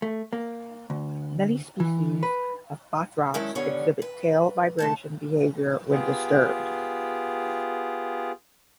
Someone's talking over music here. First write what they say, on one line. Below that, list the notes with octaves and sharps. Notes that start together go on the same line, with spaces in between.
Many species of Bothrops exhibit tail vibration behavior when disturbed.
A3
A#3
D2
E3
B4
D#3 F#3 G#3 C#4 E4 A4
G#2 D3 G3 B3 C#5 F5
B4
C3 A3 A5
B3 F4 G4 G#4